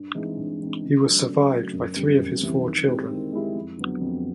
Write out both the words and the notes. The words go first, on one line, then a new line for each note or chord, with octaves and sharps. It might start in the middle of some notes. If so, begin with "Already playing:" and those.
He was survived by three of his four children.
Already playing: G2
E3 G#3 C4 D#4
G2
E3 G#3 C4 D#4
C#3
F#3 A3 D4 F#4
C#3
F#3 A3 D4 F#4
F#2
C#3 E3 G3 C4
F#2
C#3 E3 G3 C4
D#3
G#3 C4 E4 G4
D#3
G#3 C4 E4 G4
F2
D3 F#3 B3
F2